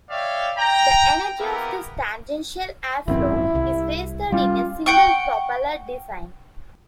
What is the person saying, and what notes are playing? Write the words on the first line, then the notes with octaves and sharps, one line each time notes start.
The energy of this tangential air flow is wasted in a single-propeller design.
C#5 D5 E5 F5 G5
G5 A#5
A#3 B3 E4 G4 G#4 A#4
G#1 F#2 C4 E4
C2
G3 C#4 F4
F#5 G5 C#6